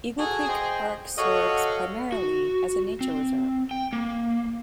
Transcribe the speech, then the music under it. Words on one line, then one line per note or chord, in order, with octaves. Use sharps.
Eagle Creek Park serves primarily as a nature reserve.
F#4 G#4 A4
C5 D#5 G5
F#4 A4 C#5 D#5 F5 F#5
F#4
C4
G5
A#3